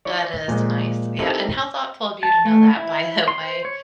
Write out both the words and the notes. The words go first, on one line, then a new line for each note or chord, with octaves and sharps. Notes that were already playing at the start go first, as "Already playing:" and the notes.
That is nice. Yeah, and how thoughtful of you to know that, by the way.
E4 C#5 D5
A#2 F3 G#3
C4 D#4 E4 G4 A4 A#4
A5
A3
E4
C6
C5
C#5